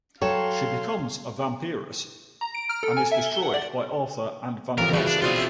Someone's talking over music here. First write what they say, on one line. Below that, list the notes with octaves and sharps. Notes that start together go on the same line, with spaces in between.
She becomes a vampiress and is destroyed by Arthur and Van-Helsing.
F#3 A4 C#5 F5 G5 C6
A#5
D7
F6
A4
G#5
E5
G7
F#5
D5
A1 F2 A#4 F5
C#3 E3 F3 G3 F#4 C#6
D4
B2 C4 F4 G#4 C5 D5 F5 G#5
C#5 E5 G5